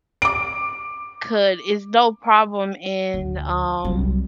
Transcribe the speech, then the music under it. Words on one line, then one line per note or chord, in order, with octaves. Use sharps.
could, it's no problem in, um
D6 D7
D2
C2 F#3